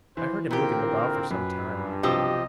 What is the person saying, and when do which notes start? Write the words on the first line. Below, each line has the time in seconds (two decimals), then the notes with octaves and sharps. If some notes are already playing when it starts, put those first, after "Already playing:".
I heard him moving about for some time.
0.17 E3 C5
0.51 A#2 D3 C4 F4 G4 A#4
1.31 F#2 B4
1.69 G2
2.03 B1 C3 F3 G4 D#5 E6